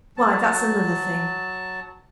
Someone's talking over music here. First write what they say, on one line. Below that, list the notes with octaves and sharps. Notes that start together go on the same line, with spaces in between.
'Why, that's another thing.
F#3 A5